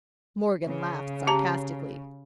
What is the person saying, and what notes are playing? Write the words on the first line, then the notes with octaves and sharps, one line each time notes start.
Morgan laughed sarcastically.
C#3
G4 A5 A#5